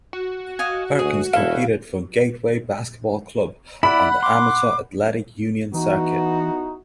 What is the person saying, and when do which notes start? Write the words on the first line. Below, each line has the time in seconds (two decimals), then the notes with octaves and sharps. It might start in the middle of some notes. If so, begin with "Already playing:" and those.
Perkins competed for Gateway Basketball Club on the Amateur Athletic Union circuit.
0.13 F#4
0.59 D#5 F5 G#5
0.99 D2 G#4
1.34 E1 E4 A4 F5
3.83 E4 D5 F#5 B5
4.23 C6 D6
5.74 E3 B3 D#4 E4 F#4